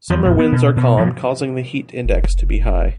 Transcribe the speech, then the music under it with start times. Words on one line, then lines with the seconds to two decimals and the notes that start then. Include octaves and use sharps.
Summer winds are calm, causing the heat index to be high.
0.10 E2 F3
0.25 A#1 F2
0.39 B3
0.52 B2
0.77 B2
0.97 G2 F3
2.05 F1